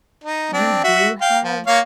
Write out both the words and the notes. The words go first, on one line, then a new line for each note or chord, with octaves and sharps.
you do have
D#4
C4 D4
F#4 E5
F5 G5
F3
A#3 C#5 F5